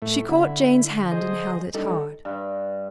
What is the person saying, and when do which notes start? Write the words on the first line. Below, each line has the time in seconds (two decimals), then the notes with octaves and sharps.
She caught Jane's hand and held it hard.
0.02 A2 A3
0.29 D3 E4
1.12 G#4 C5 D#5
1.74 G3 D4 D#4 A4
2.25 G2